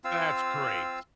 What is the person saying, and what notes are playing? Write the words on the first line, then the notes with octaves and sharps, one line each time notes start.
That's great.
C4 F4 F5 E6